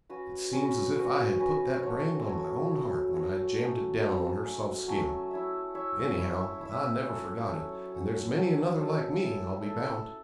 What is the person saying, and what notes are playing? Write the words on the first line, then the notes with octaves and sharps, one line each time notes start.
It seems as if I had put that brand on my own heart when I jammed it down on her soft skin. Anyhow, I never forgot it, and there's many another like me, I'll be bound.
C#4 F#4 B4
C#4 F#4 B4
C#4 F#4 B4
C#4 F#4 B4
F#3 A3 F#4 C#5
F#3 A3 F#4 C#5
F#3 A3 F#4 C#5
F#3 A3 F#4 C#5
F#3 A3 C#4
F#3 A3 C#4
F#3 A3 C#4
F#3 A3 C#4
E4 C#5 E5
E4 C#5 E5
E4 C#5 E5
E4 C#5 E5
F#3 C#4 A4 C#5
F#3 C#4 A4 C#5
F#3 C#4 A4 C#5
F#3 C#4 A4 C#5
E4 A4 E5
E4 A4 E5
E4 A4 E5